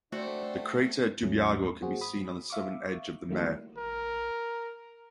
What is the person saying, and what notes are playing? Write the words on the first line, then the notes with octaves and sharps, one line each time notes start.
The crater Dubyago can be seen on the southern edge of the mare.
A3 C4 D4 F#4 D5
D#2 G#2 F#3 A3 C#4
A#3 F#4 G#4 C5
B5 D#6
E5 F5 C#6 D6
D#3 G3 A3 A#3 E4 F#4
A#4